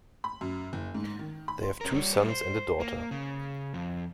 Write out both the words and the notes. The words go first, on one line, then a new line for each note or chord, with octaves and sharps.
They have two sons and a daughter.
B5
F#2
F#1
G#2
D#3
B5
C6
C#4 A#4
G3 C#5
C5
A#3
C#3
F2